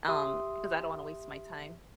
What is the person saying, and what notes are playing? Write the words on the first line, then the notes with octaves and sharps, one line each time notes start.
um, because I don't want to waste my time.
G4 E5 C6 D#6